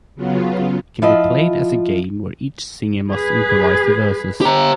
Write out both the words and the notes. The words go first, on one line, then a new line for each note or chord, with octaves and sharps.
It can be played as a game, where each singer must improvise the verses.
C#3 F#3 B3 F4
F3 E4 F4 D#5
G#4 B4
G4 A#5